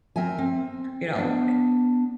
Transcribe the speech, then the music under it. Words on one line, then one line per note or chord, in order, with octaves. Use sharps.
you know,
C4 A#4 E5 G5 G#5
C4
B3 D4